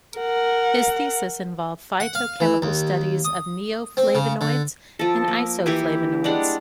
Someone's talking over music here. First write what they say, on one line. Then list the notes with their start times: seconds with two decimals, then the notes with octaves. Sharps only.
His thesis involved phytochemical studies of neoflavonoids and isoflavonoids.
0.18 A#4 F#5
2.00 F#5
2.15 F5
2.40 E3
2.62 D#2
3.25 D#6
3.97 C4
4.15 C#3
4.41 D3
4.99 F3 A4
5.28 A#3
5.66 E3 E4 G4 G#5
6.24 G3 G#3 D4 F#5